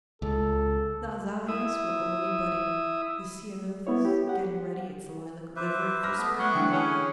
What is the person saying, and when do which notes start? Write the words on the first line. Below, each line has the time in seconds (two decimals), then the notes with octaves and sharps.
The azaleas were already budding, the ceanothus getting ready its lilac livery for spring.
0.22 C#2 A4
1.48 E4 E5 D#6
3.87 B3 E4 C#5
4.05 G4
4.27 G4 F#5
5.56 B4 C5 E5 D6
6.03 B5 F6 A#6
6.18 A3 B3 D#6
6.39 F#3 F#6
6.54 D3 E3 F#5 G5
6.73 C#4 G#4